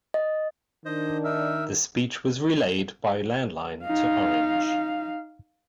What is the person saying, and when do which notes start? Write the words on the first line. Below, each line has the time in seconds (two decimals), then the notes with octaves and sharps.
The speech was relayed by landline to Orange.
0.14 D#5
0.85 D#3 D4 C5 D#5
1.24 D#4 A#4 E5
3.84 D#4 F5